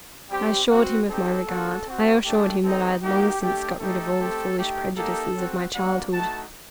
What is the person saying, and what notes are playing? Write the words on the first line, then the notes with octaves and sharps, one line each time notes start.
I assured him of my regard: I assured him that I had long since got rid of all the foolish prejudices of my childhood.
G3 C4 G4
C4 F#4
C4 D#4 G4 A4
A#3 D4 F#4
C4 F#4
A3 D4 G4
C4 D#4 G4 A4
A#3 D#4 F#4 G4
A3 D4 G4
A3 D#4 G4 A4
A3 C4 G4
A3 D#4 G4
A#3 D#4 G4 A4
C4 F#4
G3 A#3 D4 F#4 F#5
A3 D#4 F#4 A5